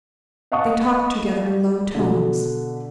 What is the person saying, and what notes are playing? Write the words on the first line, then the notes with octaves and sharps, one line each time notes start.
They talked together in low tones.
D#5 F5 F#5 A5 C#6 D#6
B2 D3